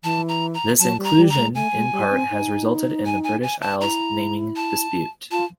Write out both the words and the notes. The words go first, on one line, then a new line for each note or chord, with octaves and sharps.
This inclusion, in part, has resulted in the British Isles naming dispute.
E3 A5
A#5
A#5
F#3 A5
G3
A#5
G3
A#5
G#3
A3 G#5
G#3
G3
C4
D#4
G#5
G#5
G#5
A5
E4 A#5
A5
F4 A5